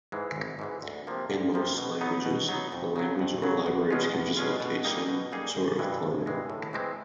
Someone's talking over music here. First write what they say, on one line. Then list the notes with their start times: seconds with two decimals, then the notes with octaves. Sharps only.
In most languages, the language or libraries can facilitate some sort of cloning.
0.12 G#2 E3 G#3
0.36 G#1
0.59 G#2 E3 G#3
0.82 D2
1.07 C3 F3 A#3
1.30 D2
1.54 C3 F3 A#3
1.77 B2
2.01 F#3 B3 D#4
2.25 B2
2.48 F#3 B3 D#4
2.72 F2
2.96 C#3 F#3
3.19 F2
3.42 C#3 F#3
3.66 E2
3.90 B2 G#3 C#4 F4
4.14 E2
4.37 B2 G#3 C#4 F4
4.60 B2
4.84 G3 A#3 D#4 G#4
5.08 B2
5.32 G3 A#3 D#4 G#4
5.55 G#1
5.79 G2 E3 G#3
6.03 G#1
6.26 G2 E3 G#3
6.50 A2
6.73 E3 G#3 C4